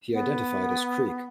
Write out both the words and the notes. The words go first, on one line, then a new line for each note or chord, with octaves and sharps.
He identified as Creek.
B3